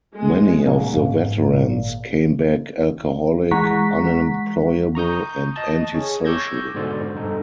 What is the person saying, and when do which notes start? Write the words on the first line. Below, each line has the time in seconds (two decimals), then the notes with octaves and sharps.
Many of the veterans came back alcoholic, unemployable and antisocial.
0.16 G#3
0.66 A#2 C#3 F#3 A#3
0.97 G#2
1.47 G#1 A#2
3.51 E3 G#3 F#5 A#5 C#6 B6
4.95 A#5 C#6 D#6 G6
5.56 D#5 A5
5.95 G#4 C#5
6.25 C#6 D6 E6 G6 G#6 A#6
6.74 G#2 B2 D3 C5 D5
7.15 G2 D#4 A4